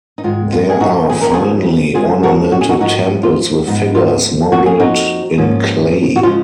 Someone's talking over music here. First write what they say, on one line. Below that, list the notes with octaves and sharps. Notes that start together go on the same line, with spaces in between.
There are finely ornamented temples with figures modeled in clay.
D#4
G#2 D#3 G#3 F4
F4
G#4
D#4 F#4
D#2 C#3 F3 G#4
A#4
F4 G#4
C#3 G#3 C#4 F4 G#4
F#4 A#4
F#4
G#4
D#4 F#4
G#2 F3 G#3 D#4 F#4
F4
G#2 F3 B3 D#4
F4
F2 F3 A#3 F#4
G#4
D#4 F#4
G#2 F3 A#3 C#4
F#4
C#3 F3 G#3 F4